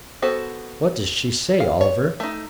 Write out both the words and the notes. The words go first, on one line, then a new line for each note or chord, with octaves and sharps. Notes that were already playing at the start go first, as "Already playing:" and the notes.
"What does she say, Oliver?"
B3 F#4 A4 C5
F5
C#5
A3 D#4